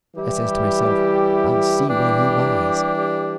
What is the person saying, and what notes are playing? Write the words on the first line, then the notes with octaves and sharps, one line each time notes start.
I says to myself, I'll see what he buys.
E3 G3 E4 G4
E3 G3 D4 G4